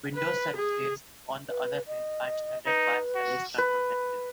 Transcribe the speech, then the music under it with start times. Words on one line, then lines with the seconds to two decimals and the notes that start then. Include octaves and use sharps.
Windows services, on the other hand, are started by Service Control Manager.
0.15 B4
0.56 G#4
1.49 B4
1.87 D#5
2.66 D#4 B4
3.15 F#4
3.58 B4